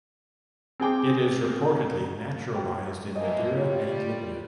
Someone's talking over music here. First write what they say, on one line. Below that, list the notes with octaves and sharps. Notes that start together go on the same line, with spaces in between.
It is reportedly naturalized in Madeira and Libya.
C4 G#4 G5 D6
G5
E3 F3 A#3 D#5
G3 F4 C#5